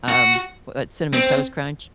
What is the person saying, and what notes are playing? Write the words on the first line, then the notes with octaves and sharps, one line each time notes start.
um, what Cinnamon Toast Crunch.
F#4
C4